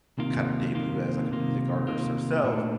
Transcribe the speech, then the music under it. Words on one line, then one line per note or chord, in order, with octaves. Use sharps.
kinda debut as, like, a music artist herself,
C3 D#3 A#3 F4
C3 D#3 A#3 F4
C3 D#3 A#3 F4
C3 D#3 A#3 F4
A#2 A3 D4